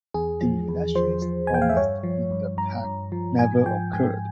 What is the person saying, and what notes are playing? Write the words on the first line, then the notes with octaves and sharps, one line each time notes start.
The elections promised in the pact never occurred.
E2 G#4
F3
E2
F3 C5
F3
G#5
E2 G5
F5
E5
G2 C#5
F3
G2
G2 A#5
G2
F3
G#2 G#5
F3 G5
G#2 G#5